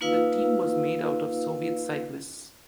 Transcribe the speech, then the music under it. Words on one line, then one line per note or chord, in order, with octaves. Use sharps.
The team was made out of Soviet cyclists.
A#3 D#4 F4 B4 F5 E6